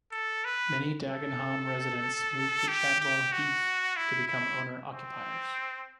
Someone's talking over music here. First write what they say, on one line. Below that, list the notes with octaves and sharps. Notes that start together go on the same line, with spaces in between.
Many Dagenham residents moved to Chadwell Heath to become owner occupiers.
A4
B4
A4
G4
G4
F#4
E4
E4
C4